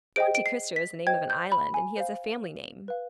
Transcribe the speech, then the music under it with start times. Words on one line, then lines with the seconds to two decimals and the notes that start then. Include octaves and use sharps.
"Monte Cristo is the name of an island, and he has a family name."
0.16 G#4 C5 D#5 G5 D7
0.35 D7
0.46 C7
0.76 B6
1.06 C5 D#5 G5 G#6
1.30 G6
1.52 B5
1.74 G#5
1.97 C5 F5
2.88 B4 F5